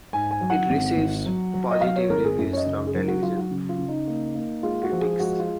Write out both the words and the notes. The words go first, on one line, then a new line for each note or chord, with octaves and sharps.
It received positive reviews from television critics.
G#2 G#5
G#5
F#3
F#5
G#1
G#1
F#3
F#3
D#5
F#3 F5
C#5
G#1 A#4
G#4
F#2
C#5
D#5
C#3
G#4
F#3 A#4
F#4
F#3 F4
F#4
C#3
F4
C#3
D#4
A#3
A#3
G#3 F4
F#4
F3
G#4
G#3 F#4
F4